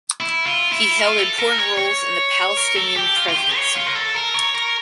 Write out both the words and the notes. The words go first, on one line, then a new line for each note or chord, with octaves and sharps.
He held important roles in the Palestinian presidency.
E4
F4
E4
F4
A4
A#4
C#5
C#5
A#4
A4
G4
F4
F4
G4
C#5
F4
A#4
A4
A#4
C#5
A#4